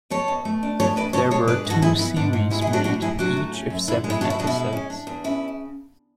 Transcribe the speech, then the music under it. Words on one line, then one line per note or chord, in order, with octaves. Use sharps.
There were two series made; each of seven episodes.
B2 A4 C#5
B2
A3
D4
E2 A4 C#5
E2 B4 D5
B2 A4 C#5
G#3 A4 C#5
D4 B4 D5
G#2
F#4 A4
E3 E4 G#4
B3 E4
G#2 D4
G#2
G#3 E4
E4 G#4
B3
D4 F#4
A2 D4 F#4
A2 E4 G#4
F#3 D4 F#4
A3
C#4
F#2
D3 E4
G#3
E4
B2 D4 F#4
E4
B2 D4
E4
G#3
C#4
D4
E2
C#3 E4